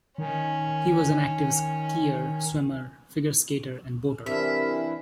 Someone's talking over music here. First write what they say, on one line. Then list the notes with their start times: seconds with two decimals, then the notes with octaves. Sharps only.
He was an active skier, swimmer, figure skater and boater.
0.18 D#3 C#4
4.26 C3 E3 D4 E4 A#4 E5